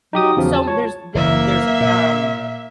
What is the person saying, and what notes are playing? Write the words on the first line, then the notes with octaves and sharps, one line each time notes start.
som there's the there's, um,
F#3 D#4 G4 D#6
E2 C#3 F3 F#3
A5
F4 C#5 A5
F#1 E3 A#3 E5
A#2